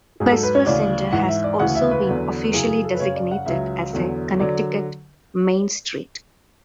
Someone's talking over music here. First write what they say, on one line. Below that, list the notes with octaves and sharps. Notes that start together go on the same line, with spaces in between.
Westville Center has also been officially designated as a "Connecticut Main Street".
G#2 F#3 G#4
A4
B4
C#5
D2 C#3 E3 D5
G#2 E3 F#5
E5
D5
D2 C#3 E3 F#5
E5
B4
E2 D3 F#3
F#2 C#3 E3 G#4
G#4
A4
B4
F#2 C#3 F#3 C#5
D5
F#5
C#2 C#3 F#3 E5
E2 D3 F#3
D3 F#3 D5